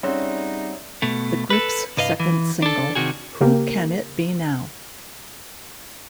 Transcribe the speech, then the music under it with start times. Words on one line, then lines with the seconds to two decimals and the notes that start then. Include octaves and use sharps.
The group's second single, Who Can It Be Now?
0.03 G3 C4 C#4 D#4 F#4 G#4 D5 E5
1.02 B2 A3
1.50 A4 B4
1.97 C2 G2 B4 D#5 F5
2.20 E3
2.62 D4 A4
2.95 C3 D#3 F#4 G#4
3.41 C#3 A#3 G4 A#4